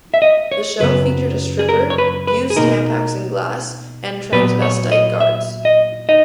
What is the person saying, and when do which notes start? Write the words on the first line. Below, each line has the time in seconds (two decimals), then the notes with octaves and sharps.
The show featured a stripper, used Tampax in glass, and transvestite guards.
0.14 E5
0.22 D#5
0.52 C#5
0.80 F#2 C#3 F#3 B3 B4
1.59 G#4
1.69 A#4
1.90 C#5
1.98 B4
2.27 B4
2.50 G#4
2.56 B2 A#3 D#4 A#4
4.32 A#2 F#3 B3 B4
4.62 C#5
4.92 D#5
5.21 E5
5.65 D#5
6.09 D#4 D#5